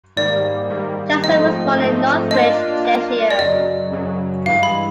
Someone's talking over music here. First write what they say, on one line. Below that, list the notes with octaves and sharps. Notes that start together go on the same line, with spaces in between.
Johnson was born in Northwich, Cheshire.
G#2 D#3 G3 A#3 D5
G#2 D#3 G3 A#3
G#2 F3 A3 C4 D#4 D#5
G#2 F3 A3 C4 D#4
A#3 D4 F4 D#5
A#3 D4 F4
D5
F#2 C#3 F#3 D#5
F#2 C#3 F#3
G2 E3 G#3 F5
B5